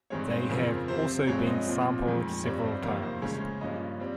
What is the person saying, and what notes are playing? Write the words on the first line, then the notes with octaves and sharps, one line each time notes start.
They have also been sampled several times.
G2 D#3 G#3 C4 C#5
C5
F2 C#3 F3 C4 A#4
C3 F3 C4 C5
G2 F3 G#3 C4 C#5
D#5
A#2 F3 C4
F2 D#3 G#3
G2 G3 C4 C#5
C5
F2 C3 D#3 A#3 A#4
C5
C#3 G#3 C#4 C#5
G2 F3 A#3 C#4 D#5
G3 C4